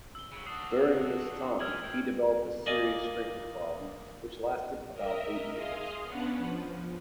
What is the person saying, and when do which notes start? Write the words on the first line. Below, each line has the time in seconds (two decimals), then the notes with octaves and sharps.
During this time he developed a serious drinking problem, which lasted about eight years.
0.15 E6 G7
0.33 C#3 F#3
0.46 D4 F#4 D#6 C7
1.60 E3 F6 G#6 F#7
1.84 A#2 G5
2.66 A#3 D5 D#5 G#5
4.93 A#4 D#5 E5
5.53 G#4 D#5 F5 C6 D#6 F6
6.03 B3 C#4 D4 B4 F#5
6.38 F3